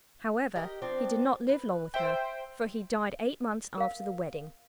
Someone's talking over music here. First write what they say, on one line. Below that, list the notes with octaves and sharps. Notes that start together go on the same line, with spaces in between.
However, he did not live long with her, for he died eight months after the wedding.
G4 A#4 D#5
F3 C4 D4
B4
C5 E5 G5
A#4 F5